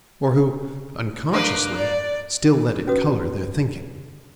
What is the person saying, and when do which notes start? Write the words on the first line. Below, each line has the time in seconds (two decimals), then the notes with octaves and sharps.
Or who--unconsciously--still let it color their thinking.
1.33 A#3 D4 B4 D6
1.75 D5
2.87 C#4 F#4 B4 D#6